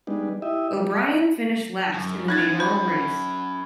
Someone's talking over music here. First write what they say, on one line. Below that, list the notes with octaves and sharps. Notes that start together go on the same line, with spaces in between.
O'Brien finished last in the mayoral race.
G3 G#3 B3 D4 D#4
E4 G4 D#5 E5
F#2
C#4 D#4 F#4 F#6 G#6 A6
C5 B5